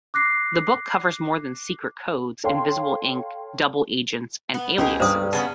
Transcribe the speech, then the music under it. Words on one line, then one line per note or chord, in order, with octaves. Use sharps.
The book covers more than secret codes, invisible ink, double agents, and aliases.
D6 F#6 A#6 C7
A4 C#5 F5 G5 C6
B3
C#2 C#4 D#4 G4 G#4
G2 G3 C5 A#5 D#6
C#3 B3 C#4 A5